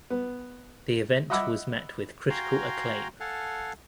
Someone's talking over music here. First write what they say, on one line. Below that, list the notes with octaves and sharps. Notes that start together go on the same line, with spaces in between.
The event was met with critical acclaim.
B3
D#5 E5 F#5 B5 D6 E6
F#4 F5 G5 G#5 A#5 C6
A4 F5 F#5 G#5 A5